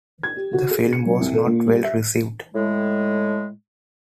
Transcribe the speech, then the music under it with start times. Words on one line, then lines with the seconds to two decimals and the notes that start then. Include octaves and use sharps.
The film was not well received.
0.23 G#6
0.36 G4
0.53 F#4
0.71 G#4
0.93 C#7
1.06 F#3
1.20 C2
1.34 A4
1.46 A#2
1.66 G3
1.84 E5
2.54 A2 G#3